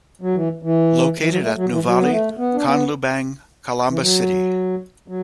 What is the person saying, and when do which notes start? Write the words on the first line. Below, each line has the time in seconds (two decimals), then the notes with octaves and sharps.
Located at Nuvali, Canlubang, Calamba City.
0.21 F#3
0.35 E3
0.63 E3
1.19 E3
1.29 F#3
1.42 A3
1.56 F#3
1.70 E3
1.83 F#3
1.99 B3
2.10 A3
2.38 B3
2.54 D4
2.65 B3
3.89 E3
4.00 F#3
5.08 F#3